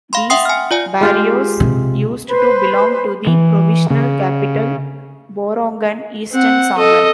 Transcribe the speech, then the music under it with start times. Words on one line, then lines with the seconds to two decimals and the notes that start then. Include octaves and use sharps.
These barrios used to belong to the provincial capital Borongan, Eastern Samar.
0.13 F5 B5 C6
0.30 E5 F#5 G5 C6 D#6 C7
0.45 G#5 F6
0.71 F4 D5 G#5
1.01 G#3 F4 G4
1.60 C3
2.28 B4 C5
3.27 E3
3.90 C#3
6.32 C4 F#5
6.77 A4 D#5